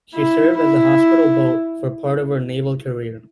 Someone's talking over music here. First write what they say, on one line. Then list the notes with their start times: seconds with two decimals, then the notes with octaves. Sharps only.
She served as a hospital boat for part of her naval career.
0.14 E4
0.57 E4